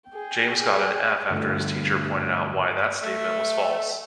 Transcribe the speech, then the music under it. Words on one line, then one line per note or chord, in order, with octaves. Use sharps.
James got an F after his teacher pointed out why that statement was false.
G#4 G5
G2 D3 A3
A3